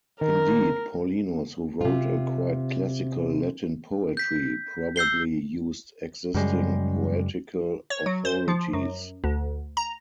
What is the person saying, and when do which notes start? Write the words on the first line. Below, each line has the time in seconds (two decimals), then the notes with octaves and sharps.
Indeed, Paulinus, who wrote a quite classical Latin poetry, probably used existing poetical authorities.
0.21 D#3 A#4
1.81 C3 F4
4.17 G6 B6
4.96 E6 G6 C7 G7
6.35 F#2 C#3 G3 G#3
7.90 C#5
8.06 F#3
8.25 C5
8.48 F3
8.73 F#2
9.24 D2
9.77 A#5